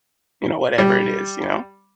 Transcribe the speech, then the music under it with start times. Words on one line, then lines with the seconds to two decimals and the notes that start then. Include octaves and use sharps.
you know, whatever it is, you know?
0.78 G3